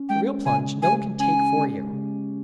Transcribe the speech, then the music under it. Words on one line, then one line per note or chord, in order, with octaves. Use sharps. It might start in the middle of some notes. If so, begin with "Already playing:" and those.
The real plunge no one can take for you.
Already playing: C#4
G#3 G5
C#3 G#5
G4 G#5
C#4 G#5
G#3
C#3